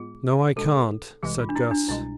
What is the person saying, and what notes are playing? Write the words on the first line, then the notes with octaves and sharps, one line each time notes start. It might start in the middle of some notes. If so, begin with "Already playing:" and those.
"No I can't," said Guss.
Already playing: A2 G#3 B3 F4 G#4
B2 G#3 D4 A4
C2 C3 E3 G#3 G#4
F4
D4
E4
D4
C2 B2 G#3 E4